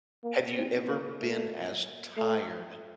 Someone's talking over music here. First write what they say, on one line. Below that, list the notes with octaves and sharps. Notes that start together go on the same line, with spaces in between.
Have you ever been as tired
A#3
C4
A#3
A3
A3